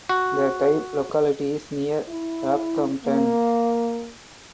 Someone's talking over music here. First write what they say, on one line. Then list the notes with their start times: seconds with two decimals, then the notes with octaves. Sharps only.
The type locality is near Rockhampton.
0.09 F#4
2.09 E4
3.06 A#3